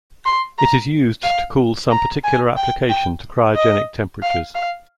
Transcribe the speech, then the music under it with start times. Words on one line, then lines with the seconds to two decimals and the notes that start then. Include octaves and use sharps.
It is used to cool some particular application to cryogenic temperatures.
0.26 C6
0.58 A#5
1.24 F5
1.91 A#5
2.24 G#5
2.57 G5
2.90 G5
3.56 D#5
4.22 F5
4.55 F5